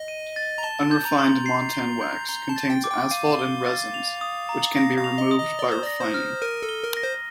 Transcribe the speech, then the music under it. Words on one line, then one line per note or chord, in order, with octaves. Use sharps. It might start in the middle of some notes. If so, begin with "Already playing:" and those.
Unrefined montan wax contains asphalt and resins, which can be removed by refining.
Already playing: D#5
D#7
A6
A#5
A5 G7
G6
A#5
C6
C7
G7
G6
A#5 G7
A5
A6
G5
D6
G5
F5 D#7
G7
A6
F7
D#6
A#5
F5 A#6
F5
F7
D#5
D#6
D#5
D5 G7
C5
D5 A#6
C5
F6
A#4 D#7
A4
G7
A#4
A#6
C5